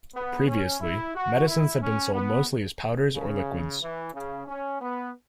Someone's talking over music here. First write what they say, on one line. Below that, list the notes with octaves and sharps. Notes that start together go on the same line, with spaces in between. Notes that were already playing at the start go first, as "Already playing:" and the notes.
Previously, medicines had been sold mostly as powders or liquids.
B3
C#4
E4
F#4
E4
C#4
B3
C#3
E3
C#3
C#4
B3